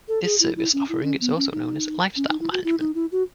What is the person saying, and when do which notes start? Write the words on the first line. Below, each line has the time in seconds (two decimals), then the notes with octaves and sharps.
This service offering is also known as lifestyle management.
0.08 A4
0.24 G#4
0.40 E4
0.56 E4
0.73 C#4
0.89 E4
1.04 C#4
1.21 B3
1.37 C#4
1.52 D#4
2.16 C#4
2.28 D#4
2.40 E4
2.52 F#4
2.64 E4
2.80 D#4
2.95 E4
3.12 F#4